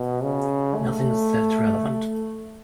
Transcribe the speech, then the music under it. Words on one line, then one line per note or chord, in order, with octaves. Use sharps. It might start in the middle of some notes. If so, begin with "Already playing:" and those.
Nothing's that relevant.
Already playing: B2
C#3
A3